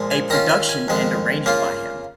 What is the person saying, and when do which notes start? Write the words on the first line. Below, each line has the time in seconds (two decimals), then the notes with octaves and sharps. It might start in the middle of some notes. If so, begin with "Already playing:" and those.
A production and arranged by him.
Already playing: A#2 F3 G#3
0.11 G#5
0.30 D#3 C#4 F4 A#5
0.49 G#5
0.69 G#5
0.88 F2 D#3 G#3
1.46 C#3 A#3 F4